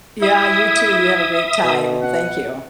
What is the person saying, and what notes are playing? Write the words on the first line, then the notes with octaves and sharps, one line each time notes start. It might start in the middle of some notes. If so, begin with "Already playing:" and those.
Yeah, you too, you have a great time, and thank you.
E4 E5 D#6
B2
F#5